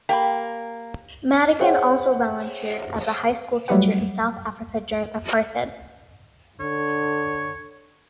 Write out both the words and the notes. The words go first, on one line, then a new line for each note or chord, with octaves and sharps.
Madigan also volunteered as a high school teacher in South Africa during apartheid.
A#3 G4 G5 B5
G#4 C5 C#5 E5 F#5 G5
F#3 G3 A3 G4 B4 F#5
D3 C#5